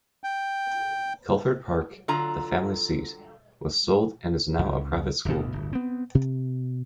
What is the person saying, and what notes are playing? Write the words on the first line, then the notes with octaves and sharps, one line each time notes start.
Culford Park, the family seat, was sold and is now a private school.
G5
D3 F#3 F4 A#5
C#2
D1 G1 D2 B2
D1 G1
B3 C4
B2